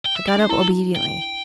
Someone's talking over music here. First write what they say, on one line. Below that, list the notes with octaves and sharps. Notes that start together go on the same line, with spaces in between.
I got up obediently.
G5
E5
D5
D4 C5
E4 A4
G5